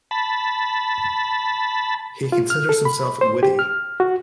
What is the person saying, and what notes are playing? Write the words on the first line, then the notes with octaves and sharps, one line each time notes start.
He considers himself witty.
A5 B5
F4
F6
A4
B5
C5
G4
F6
F#4